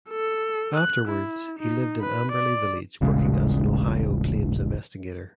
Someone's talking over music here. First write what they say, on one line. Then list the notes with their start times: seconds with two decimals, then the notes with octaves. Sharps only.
Afterwards he lived in Amberley village working as an Ohio claims investigator.
0.10 A4
0.76 F#6
1.08 E4
1.59 D#4
2.02 B4
2.32 D5
3.01 D#1 A1 C#3 G#3